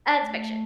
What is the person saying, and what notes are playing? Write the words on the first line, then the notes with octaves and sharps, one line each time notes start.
Uh it's fiction.
A3